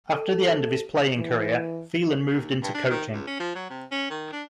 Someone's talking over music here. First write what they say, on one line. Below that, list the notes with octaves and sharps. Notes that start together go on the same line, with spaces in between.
After the end of his playing career, Phelan moved into coaching.
A4
E3
D#2
G2
D4
D#3
C#2
C#4
F3
F#3
C3
C#4
D#3
D4